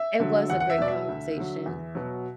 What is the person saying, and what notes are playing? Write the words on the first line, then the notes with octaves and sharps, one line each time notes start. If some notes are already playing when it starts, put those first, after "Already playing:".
It was a great conversation.
Already playing: E5
D3 F#3
E2 F#5
F#5
E5
B2 F#3 D5
E5
D2
D3 F#3
E2
B2 F#3